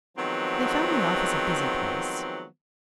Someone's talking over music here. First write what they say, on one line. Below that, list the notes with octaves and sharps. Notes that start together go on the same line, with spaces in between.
They found the office a busy place.
D#3 F3 F#3 G#3 B3 C4